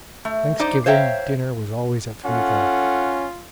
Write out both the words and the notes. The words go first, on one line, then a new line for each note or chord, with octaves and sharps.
Thanksgiving dinner was always at three o'clock.
A3
D#4 C5 D5
C5 C#5 E5 F5 G5 A#5
C#4 F4 A4 F#5